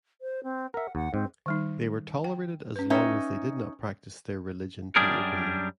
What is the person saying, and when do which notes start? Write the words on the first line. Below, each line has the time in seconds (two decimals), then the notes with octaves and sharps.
They were tolerated as long as they did not practice their religion too openly.
0.21 C5
0.43 C4
0.74 A#4 E5 F#5
0.95 D#2 F#5
1.14 G#2 C4
1.46 D#3 G3 D#4
2.24 G5
2.76 C#4 B4
2.90 C#4 D#4 B4 E5 G5
4.96 F#2 G3 D4 G#4 A#4